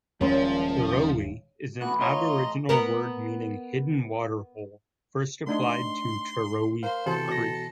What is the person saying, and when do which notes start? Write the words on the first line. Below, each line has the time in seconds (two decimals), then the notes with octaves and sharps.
"Terowie" is an aboriginal word meaning "hidden waterhole", first applied to Terowie Creek.
0.21 D#1 D#2 A#2 F3 G#3 C#4
1.81 E3 A3 B3 F#4 B4 F#6
2.00 F4 C#5 D#5 A#5 C6
2.69 B3 A#4
5.47 A3 D4 D#4 C6
6.83 A#4 C5 F5
7.06 C3 E3 F#4 A4 C5
7.29 B2 A#6